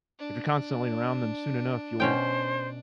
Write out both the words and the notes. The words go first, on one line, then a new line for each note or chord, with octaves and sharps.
if you're constantly around them, soon enough you'll
D4
B2 C#4 C5 G5